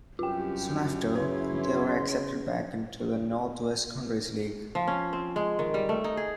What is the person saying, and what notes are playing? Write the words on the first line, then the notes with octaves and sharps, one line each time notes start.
Soon after, they were accepted back into the North West Counties League.
C2 F#2 F4 G4 G5
C#3 E4 B4 C#5 C6
F3
C#4
C4
G#3
D#3
G3
A3
D#4
G#4